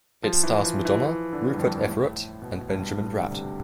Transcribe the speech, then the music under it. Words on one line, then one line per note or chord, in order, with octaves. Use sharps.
It stars Madonna, Rupert Everett, and Benjamin Bratt.
F3
E3
F3
E3
E3
D3
G2
F2
A2
B2
G2
G2
D3
C3